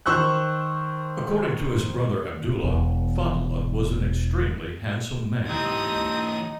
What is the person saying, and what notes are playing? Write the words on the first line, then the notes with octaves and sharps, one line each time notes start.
According to his brother Abdullah, Fadl was an extremely handsome man.
D#3 C5 C#6 E6 F#6
E1 E2
E3 C4 D#4 G4 D#6